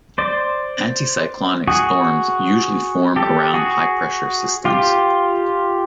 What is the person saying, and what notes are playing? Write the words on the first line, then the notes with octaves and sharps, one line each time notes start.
Anticyclonic storms usually form around high-pressure systems.
C5 D5
F#4 G#4
G4 A4
F#4 G#4
F4 G4